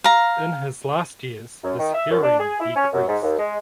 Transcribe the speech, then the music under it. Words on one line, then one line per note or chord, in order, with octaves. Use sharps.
In his last years his hearing decreased.
F5 A#5
F#2
D#3
E5
F#2
D4
G#4
E4
C#4
F#2
G#2
D#2
G#3